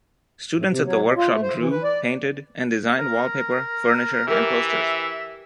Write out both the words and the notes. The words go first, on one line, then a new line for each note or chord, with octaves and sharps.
Students at the workshop drew, painted and designed wallpaper, furniture and posters.
A2
C3
F#3
B2
F4
A3
C5
E3
B4
D5
A#4
E3 G4 A#4 E5 F6